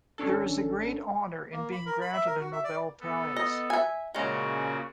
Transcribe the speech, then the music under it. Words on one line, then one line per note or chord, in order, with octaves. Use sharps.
There is a great honour in being granted a Nobel prize.
G#1 C#4 D4 A4
A#3
B5
A#4
B5
E5
A#4
F#4
E5
D5
B3 A4
D#5
E5 G#5
A#2 C#3 G#3 C#4 F#4